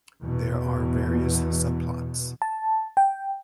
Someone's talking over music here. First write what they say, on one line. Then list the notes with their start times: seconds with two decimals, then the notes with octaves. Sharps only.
There are various subplots.
0.23 E2 B2
2.42 A5
2.97 G5